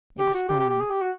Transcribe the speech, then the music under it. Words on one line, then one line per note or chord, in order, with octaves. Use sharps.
It was Thorn.
G4
F#4
G4
G4
G4
G#4
G4
F#4